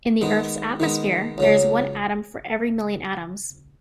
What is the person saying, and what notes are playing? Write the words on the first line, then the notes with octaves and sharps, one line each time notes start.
In the Earth's atmosphere, there is one atom for every million atoms.
D#3 G#3 B3
D#3 G#3 B3
C#2 C#3 F#3